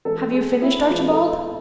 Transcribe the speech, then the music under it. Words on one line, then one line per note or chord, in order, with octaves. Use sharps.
"Have you finished, Archibald?"
E3 G#3 B3 A4
G#4
E4
E3 G#3 B3 F4
A4